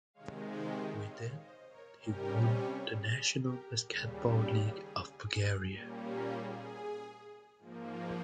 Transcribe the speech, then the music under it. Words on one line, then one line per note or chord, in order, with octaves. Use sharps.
With them he won the National Basketball League of Bulgaria.
C3 D#3 G#3 C#5 F5
F5 G#5
D#5 G5
C#5 F5
C5 D#5
A#4 C#5
C3 G3 C#4 G4 A#4
G#4
G4 A#4
D#2 C#3 G3 G#4
G4
G#4
G#4
G#4
A#2 G3 A#3 C#4 G4 A#4
G#4
G#4
G#2 F3 A#3